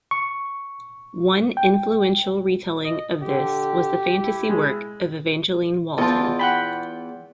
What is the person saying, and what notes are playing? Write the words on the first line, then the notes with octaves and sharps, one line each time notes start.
One influential retelling of this was the fantasy work of Evangeline Walton.
C#6
G5
D#5
D3 G4
E4
G#3
E2 F4 D#5 A5
F#5 G5 B5